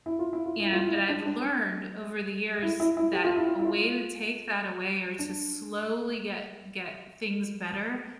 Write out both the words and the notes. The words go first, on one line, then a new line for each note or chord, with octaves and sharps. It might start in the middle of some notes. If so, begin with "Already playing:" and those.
And but I've learned over the years that a way to take that away, or to slowly get get things better
E4
F4
E4
F4
E4
F4
E4
D4
D4
E4
E4
E4
G4
F4
E4
F4
E4
F4
D4